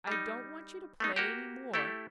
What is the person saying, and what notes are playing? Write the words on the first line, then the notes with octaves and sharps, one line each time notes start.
I don't want you to play any more.
G3 D#4
A3 B3 D#4
A#3 F#4 G4
A3 E4 G4 A4